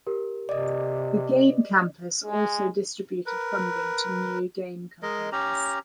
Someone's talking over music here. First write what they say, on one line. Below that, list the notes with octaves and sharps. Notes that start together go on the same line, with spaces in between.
The game campus also distributed funding to new game companies.
G4 A#4
C3 D5 D#5
G#3
A#4 B4
G#3 A#4 D#5
C#4 G4 A#5